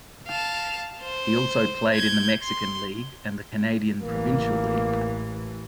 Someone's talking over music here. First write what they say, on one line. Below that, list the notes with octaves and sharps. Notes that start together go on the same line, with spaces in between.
He also played in the Mexican League, and the Canadian Provincial League.
F5 A5
C5
G6 G#6
C6
A1 E3 A#3